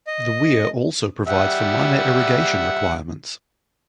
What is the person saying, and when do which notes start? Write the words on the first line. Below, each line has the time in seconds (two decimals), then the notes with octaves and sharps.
The weir also provides for minor irrigation requirements.
0.07 D#5
1.27 G3 E5 F#5